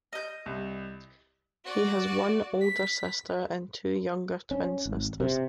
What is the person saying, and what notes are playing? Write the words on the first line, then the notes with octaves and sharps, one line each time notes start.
He has one older sister and two younger twin sisters.
D#5 G6
C2
F#4 D5
B6
C#4
G#1
C3